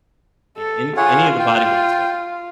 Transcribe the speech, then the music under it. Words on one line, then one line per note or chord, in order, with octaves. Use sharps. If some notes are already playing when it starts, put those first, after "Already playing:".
Yeah, any any of the body weight stuff.
A4
F4 G#4 C#5 F#5
G5